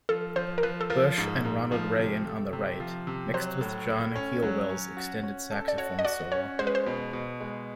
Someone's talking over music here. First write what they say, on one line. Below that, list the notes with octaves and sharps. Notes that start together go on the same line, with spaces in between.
Bush and Ronald Reagan on the right, mixed with John Helliwell's extended saxophone solo.
F3 A4
F3 C5
A#4
F3 B4
A4
F3 A#4
G#2
G#2
F3
C3
A3
C3
F3
C3
F#3 C5
A2
A2
C#4
F#3
C#4
F#4
C#4
A4
D5
F#4 C#5
D#5
F#4 D5
C#4 C#5
G#3 C5
B4
C5
B2
B2
G#3